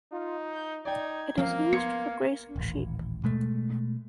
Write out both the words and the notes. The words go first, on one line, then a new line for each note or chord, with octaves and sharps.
It is used for grazing sheep.
D#4 F4
G6
D#4 D5 G5 G#6
F3 A#3 C4 C#4 F5
B3 C6 G#6 C#7
D#1 A1
B2 G#3 A3